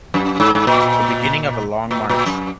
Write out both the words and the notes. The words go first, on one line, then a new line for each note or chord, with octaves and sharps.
The beginning of a long march.
F#2
G#2
G#2
A#2
A#2
A#2
F#2